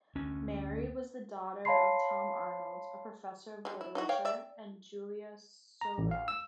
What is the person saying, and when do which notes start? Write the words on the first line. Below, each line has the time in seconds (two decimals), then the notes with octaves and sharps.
Mary was the daughter of Tom Arnold, a professor of literature, and Julia Sorrell.
0.15 D2 C#4
1.65 C#5 F5 A5 B5 C6 C7
3.65 G3 G#3
3.81 E4
3.95 D#4 E4 F#4
4.09 C#5 F5 G5
4.25 D5 E5
5.81 A#5
5.98 A1
6.11 F5
6.28 E6